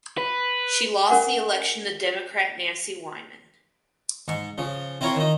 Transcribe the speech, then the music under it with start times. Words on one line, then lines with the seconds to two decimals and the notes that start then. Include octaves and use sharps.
She lost the election to Democrat Nancy Wyman.
0.18 B4
1.09 C#4 A#4 F#5 G#5
4.28 G#2 C#6
4.58 C#3 F3
5.01 C4 E4 F4 A#4 C#5
5.16 D#3 D#4